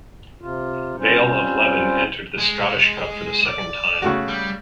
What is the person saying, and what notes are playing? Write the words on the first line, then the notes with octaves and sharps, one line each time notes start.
Vale of Leven entered the Scottish Cup for the second time.
C3 F4
G3 C4 C#4 F4 C5
G#3
D5
C#3 A3 F#4
G3